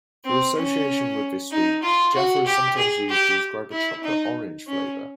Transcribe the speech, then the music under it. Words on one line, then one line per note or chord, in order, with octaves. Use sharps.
Through association with this sweet, Jaffa is sometimes used to describe a chocolate-orange flavour.
C4
C#4
D#4
F4
F#4
G4
G#4
G4
E4
D#4
C#4